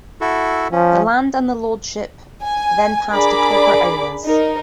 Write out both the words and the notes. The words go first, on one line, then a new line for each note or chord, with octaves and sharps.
The land and the lordship then passed to corporate owners.
E4 F#4 A4
F3 C#4
G#5
D4 G#4 A#4 D5 B5 D6
D#4 A#4